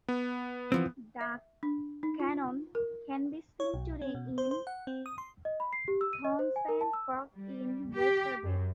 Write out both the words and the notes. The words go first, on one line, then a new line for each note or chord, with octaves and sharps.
The cannon can be seen today in Townsend Park in Oyster Bay.
B3
E3 F3 C4
E5
D4
D#4
F4
A#4
C#5
B1
C#4
B2
C5
C5
F#5
C4
D#6
C6
D#5
B5
C7
G4
E6
D#7
D#5
C5
G#5
A#4
A5
E6
G3
G4
F#2